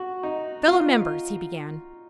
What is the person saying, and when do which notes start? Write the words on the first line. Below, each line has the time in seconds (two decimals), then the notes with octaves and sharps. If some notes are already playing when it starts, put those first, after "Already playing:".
"Fellow members," he began.
Already playing: F#4
0.23 D#4
0.68 F4